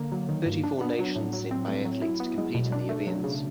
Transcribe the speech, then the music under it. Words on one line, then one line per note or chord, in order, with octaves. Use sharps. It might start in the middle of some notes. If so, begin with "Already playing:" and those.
Thirty-four nations sent biathletes to compete in the events.
Already playing: D3 A#3
F#3
D#3
G2
D4
B3
F#3
A2
F#3
C4
A3
F#3
E4
B3
G#3
B2
D4
A3
F#3
C#3